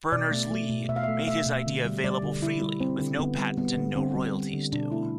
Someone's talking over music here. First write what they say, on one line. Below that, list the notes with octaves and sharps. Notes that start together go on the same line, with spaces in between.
Berners-Lee made his idea available freely, with no patent and no royalties due.
B2 D5
A3
A3
B2
B2 E5
F5
A3 E5
A3 E5
B2
D3
G3
G3 D5
D3
D3 E4
G3
G3 C4
D3
D3 B3
G3
G3 B3
D3
D3 C4
G3
G3
D3
B2 D4
A3 E4